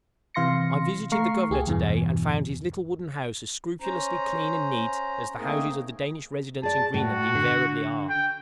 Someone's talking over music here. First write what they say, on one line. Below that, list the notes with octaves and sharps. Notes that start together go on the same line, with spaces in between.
I visited the Governor to-day, and found his little wooden house as scrupulously clean and neat as the houses of the Danish residents in Greenland invariably are.
C3 E3 F5 C6 A#6 C#7
A3 F5 A#5 C#6 C7
C#2 G4 G#4 G#5
E2 G2 B2 E3
C#4 C5 A#5
A3 A#3 C4 D#4 G#4 A#4
G#4 D5 A5
A2 F#4
D3
G5